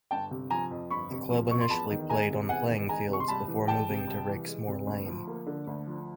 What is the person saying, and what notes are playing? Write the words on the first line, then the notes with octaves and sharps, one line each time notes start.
The club initially played on playing fields before moving to Rakesmoor Lane.
G1 G5 A5
C3
F3 G#5 A#5
F2
G1 B5 C#6
C3
F3
F2 C#6
C6
E2 A5 B5
D#3
G#3 G#5 A#5
C3
E2 F#5 G#5
D#3
G#3 G#5 A#5
C3 C#6
C6
C2 A5 B5
E3
G#3 G5 A5
C3
C2
E3
G#3
C3
D2
F3
A#3
D3
D2
F3